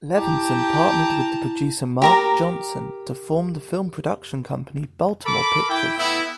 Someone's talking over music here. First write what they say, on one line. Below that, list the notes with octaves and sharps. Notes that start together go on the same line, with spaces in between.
Levinson partnered with producer Mark Johnson to form the film production company Baltimore Pictures.
E4 G4 G5 A5 A#5
G4 A#4 A#5
A4 A#4 B5 D6
E4 G5
A3 B3 E4